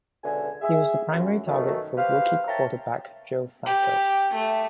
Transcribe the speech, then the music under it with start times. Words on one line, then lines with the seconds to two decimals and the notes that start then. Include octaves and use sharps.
He was the primary target for rookie quarterback Joe Flacco.
0.24 C#2 B2 D3 E5 G#5
0.62 G#4 E5
1.12 F#2
1.47 F#2 B2 D#3 F#3 A3 C#4
1.97 G4 B4 C5 F5
2.48 A#4 C#5 E5 G5 A5 A#5
3.66 G4
4.34 A3